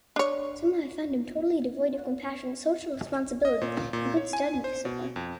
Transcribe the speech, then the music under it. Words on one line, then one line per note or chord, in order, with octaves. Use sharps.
Somehow I found him totally devoid of compassion, social responsibility, and good study discipline.
D4 C#5
D#5
A#2
A#2
C#5
G#5
C5
B2
F2